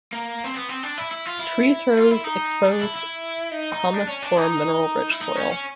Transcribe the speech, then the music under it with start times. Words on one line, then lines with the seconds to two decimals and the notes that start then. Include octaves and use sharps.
Tree throws expose humus-poor, mineral-rich soil.
0.13 A#3
0.44 C4
0.55 B3
0.69 C4
0.83 D4
0.98 E4
1.12 E4
1.26 F4
1.39 E4
1.97 F4
2.11 E4
2.24 D#4
2.67 D4
2.81 E4
2.95 E4
3.52 D#4
3.73 D#4
3.94 D4
4.09 C#4
4.23 D4
4.37 D#4
5.10 E4
5.21 D#4
5.36 C#4
5.51 C#4